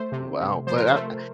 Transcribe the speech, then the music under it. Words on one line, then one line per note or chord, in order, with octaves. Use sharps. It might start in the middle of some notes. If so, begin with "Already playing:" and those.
wow, but, ah
Already playing: A3 C5
C3
C3
F3 C5
A#4
C5
A3